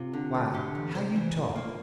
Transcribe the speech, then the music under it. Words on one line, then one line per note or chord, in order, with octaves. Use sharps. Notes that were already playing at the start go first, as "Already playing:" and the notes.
Why, how you talk!
Already playing: C3 F4
D3
D2
D3 G4
E2
C3 C5
E3
A#2
A#3